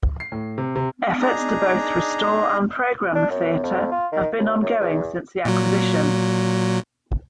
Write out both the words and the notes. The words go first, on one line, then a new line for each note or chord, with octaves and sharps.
Efforts to both restore and program the theater have been ongoing since the acquisition.
C7
A2
C3
C3
D4 D#4 G#4 A#5
D4
F#2
F2
F4
D#3
D#2
F#2
E2
A#2 F#3